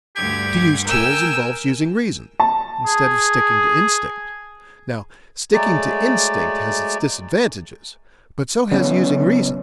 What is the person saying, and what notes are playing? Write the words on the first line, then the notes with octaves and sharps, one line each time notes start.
To use tools involves using reason, instead of sticking to instinct. Now, sticking to instinct has its disadvantages, but so has using reason.
D2 G2 G4 G#6
A#4 G5 G#5 E6
A5
G#4
F#3 G#3 A3 D5
C#3 F#3 B3 C#4